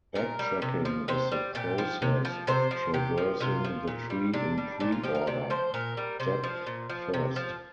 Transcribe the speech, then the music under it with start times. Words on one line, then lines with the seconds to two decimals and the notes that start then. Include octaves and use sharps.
Backtracking is the process of traversing the tree in preorder, depth first.
0.15 A#2 A#4
0.39 G3
0.62 C3
0.85 F3
1.08 C3 C5
1.32 G3
1.55 A#2 G4
1.78 F3
2.02 C3
2.25 F3
2.47 C3 C5
2.71 F3
2.94 C3 G4
3.17 F3
3.40 C3 F4
3.65 F3
3.88 A#2
4.10 G3
4.33 C3 D4
4.58 G3
4.80 A#2 D4
4.92 F4
5.03 F3 G4
5.15 A#4
5.27 C3 D5
5.50 F3 C5
5.74 A#2 A#4
5.97 G3
6.20 C3 C5
6.44 F3
6.67 A#2
6.90 F3
7.14 C3
7.36 F3